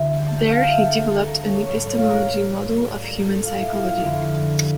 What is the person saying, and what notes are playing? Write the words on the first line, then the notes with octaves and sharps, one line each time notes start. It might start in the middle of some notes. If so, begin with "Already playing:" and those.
There he developed an epistemology model of human psychology.
Already playing: E1 D2 D3 G3 E5
G5
A5
G5
F5
E5
A4
A4
A4
A#4
C#5
A1 A2 G3 C#5
C#5
F4
A#4
D5
A#4
A4
F4
E4
F4
F4
F2 D3 F3 A#3 E4
G4